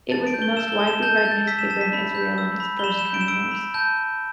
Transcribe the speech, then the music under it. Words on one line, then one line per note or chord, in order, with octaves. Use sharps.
It was the most widely read newspaper in Israel in its first twenty years.
A5 A6
D7
G6
G7
E6 E7
G7
A5
E7
A5 G6
A6
G6
A6
E6 B6
E7
A5 E7
B6
B5
G6
E6
B5
G7
B5 E7
E7
G6
D7
E7
E6 D7
B5
A5 G6
G6